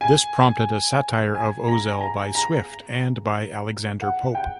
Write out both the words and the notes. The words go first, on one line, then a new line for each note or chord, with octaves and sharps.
This prompted a satire of Ozell by Swift and by Alexander Pope.
G#5
G#5
A#5
A#5
A#5
F#5
G5